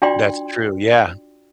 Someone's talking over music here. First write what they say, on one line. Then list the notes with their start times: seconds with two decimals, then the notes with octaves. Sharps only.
That's true, yeah.
0.02 D4 F4 F#4 D5 G5 C6